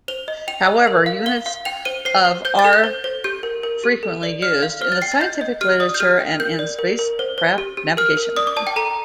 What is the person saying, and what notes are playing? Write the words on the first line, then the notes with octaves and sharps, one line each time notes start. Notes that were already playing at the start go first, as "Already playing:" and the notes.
However, units of are frequently used in the scientific literature and in spacecraft navigation.
C5 F7
D#5
G5 F7
D#5
A#4
F5
F5 G7
F5
G5 F7
C5 D#7
C5 C7
C5
C5 G6
A6
A4
G6
C5
C5
G4 G6
A#4
A#4
G4
A4
D5
D5 F6
F5
C5 F6
A6
G5 C7
A6
D#5 G6
D#5
G4 F6
D5 D#6
G6
G4 F6
G5
A#4 G6
D5
A#4
A#4
C5
C5
G4
G4
A#4 F6
A#4
D5 D#6
D6
D5 A5
G5
A4 A#5